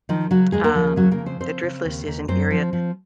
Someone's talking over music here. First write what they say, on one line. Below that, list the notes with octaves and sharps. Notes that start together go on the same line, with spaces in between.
um, the Driftless is an area
D#3 F3 D#4
C#3 F#3 F#4
D#2 G#3 G#4
A#3 A#4
F3
C#3 F#3 F#4
A#3 A#4
F3
C4 C5
C#3 C4 C5
C#3
D#2
D#2
F#2 C4 C5
F3
F3